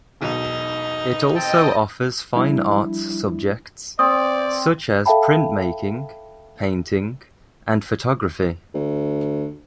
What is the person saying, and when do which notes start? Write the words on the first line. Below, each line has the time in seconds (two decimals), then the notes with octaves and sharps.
It also offers fine arts subjects, such as printmaking, painting, and photography.
0.21 E1 B1 B2 D#4
1.35 C4 D#5 G5 A5
2.35 F3 G3 D4 E4
3.99 C4 D5 D#6
5.06 A4 E5 F5 G5 A5 B5
8.74 D2